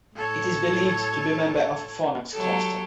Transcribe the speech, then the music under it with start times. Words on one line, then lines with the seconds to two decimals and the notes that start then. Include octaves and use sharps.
It is believed to be member of Fornax Cluster.
0.16 A2 A4 C#5
2.33 F#3 G4 A4